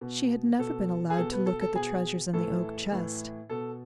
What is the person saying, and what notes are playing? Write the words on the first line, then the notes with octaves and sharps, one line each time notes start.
She had never been allowed to look at the treasures in the oak chest.
B2
B2 A4
G#4
B2 A4
B3
A4
A4
B2 G#4
A2 E3 A4
A2 E3
B2 A4